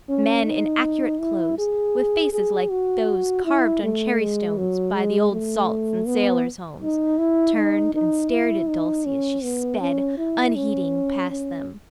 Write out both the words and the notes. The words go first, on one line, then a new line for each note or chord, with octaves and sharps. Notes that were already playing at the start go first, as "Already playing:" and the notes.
Men in accurate clothes, with faces like those carved on cherry stones by the old salts in sailors' homes, turned and stared at Dulcie as she sped, unheeding, past them.
C#4
D#4
E4
G#4
G#4
F#4
E4
A3
G#3
F#3
G#3
A3
B3
D#4
E4
D#4
D#4
E4
D#4
C#4
B3
C#4
E4
C#4
C#4